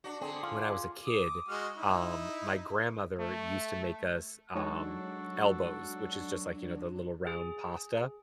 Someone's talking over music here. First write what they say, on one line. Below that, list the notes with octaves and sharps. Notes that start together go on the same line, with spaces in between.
when I was a kid, um, my grandmother used to make us, um, elbows which is just like, you know, the little round pasta,
D4 F#4
D3 C4 G#4
F4
D6 D#6
G#3 F#4 F6
D#4 E4
A3
F#3 G#3 D4 D#4 F#4 A4 C#5
G#4